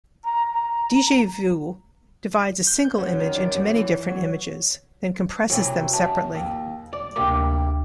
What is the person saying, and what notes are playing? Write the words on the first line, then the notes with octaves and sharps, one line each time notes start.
DjVu divides a single image into many different images, then compresses them separately.
A#5
A#5
G6
G6
F#2
D#3
D5
F#2
E3
F#3
C3 E3 F#3
F#2 A5
D#2
D5
D2 C3 G3 A#3 D6